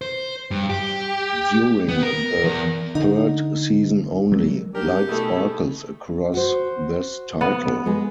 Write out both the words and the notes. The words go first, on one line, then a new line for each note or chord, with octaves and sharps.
During the third season only, light sparkles across this title.
C5
G2
G4
B3
A#4
E2
D3 D#4
F#3 G#3 A#3
D4 F#4 G4 A#4
B2 A3 E4 G#4
F#4 C5
B3
G#3 B3 G#4